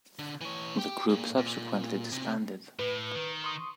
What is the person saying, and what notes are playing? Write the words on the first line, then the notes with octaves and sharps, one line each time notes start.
The group subsequently disbanded.
D3
E3 C#5
G4
A#2 A#3
A#2
C3
A2 B4
D#3
C6 C#6 D#6